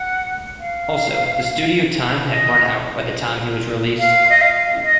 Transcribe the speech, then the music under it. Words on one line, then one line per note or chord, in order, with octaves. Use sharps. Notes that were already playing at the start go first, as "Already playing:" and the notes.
Also, the studio time had run out by the time he was released.
Already playing: F#5
F5
D#5
F5
D#5
F5
D#5